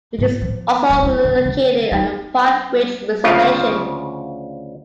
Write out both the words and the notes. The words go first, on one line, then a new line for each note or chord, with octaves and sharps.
It is also located on the Pine Ridge Reservation.
A2
F3
D#1
E4
D3
D3
D#4
D2 C#3 F3 F4